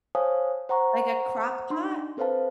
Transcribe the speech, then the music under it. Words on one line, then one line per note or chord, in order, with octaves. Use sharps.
Like a crock pot?
C5 C#5 F5 G#5 A5 D#6
C5 F#5 A#5 C#6
D4 D#4 C6
C4 A4 B4 C5 F5 A5